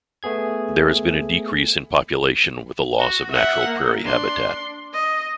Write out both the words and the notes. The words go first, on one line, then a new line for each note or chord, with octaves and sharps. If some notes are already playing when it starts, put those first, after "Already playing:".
There has been a decrease in population with the loss of natural prairie habitat.
A3 B3 G#4 G#6
F#4
E5 F#5
A#3
D4 C6
D#5